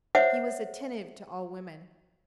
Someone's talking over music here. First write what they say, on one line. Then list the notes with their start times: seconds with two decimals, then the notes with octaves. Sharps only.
He was attentive to all women.
0.15 C5 C#5 E5 F#5